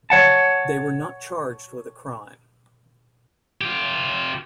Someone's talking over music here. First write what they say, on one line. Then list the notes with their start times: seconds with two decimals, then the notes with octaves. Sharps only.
They were not charged with a crime.
0.10 C#5 F#5 A5
3.61 F4 G4